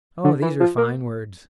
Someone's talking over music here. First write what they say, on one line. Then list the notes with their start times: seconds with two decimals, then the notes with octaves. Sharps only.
"Oh, these are fine words."
0.24 D3
0.42 E3
0.60 F3
0.78 A#3